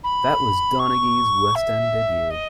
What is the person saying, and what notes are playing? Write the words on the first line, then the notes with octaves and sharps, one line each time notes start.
This was Donaghy's West End debut.
B5
C#6
E5
D#5